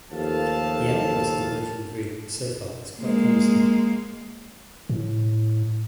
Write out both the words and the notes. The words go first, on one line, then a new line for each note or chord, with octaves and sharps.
The output of the working group so far is quite promising.
D#2 F3 A3 A4 F5 A5
G#3 A#3
A2